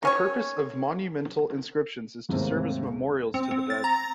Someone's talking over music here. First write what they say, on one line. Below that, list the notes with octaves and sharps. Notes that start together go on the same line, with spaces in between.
The purpose of monumental inscriptions is to serve as memorials to the dead.
D#3 C#4 C#5
D#2 G#2 C3 A3 A#3 C4
C4
C4
A6
A#5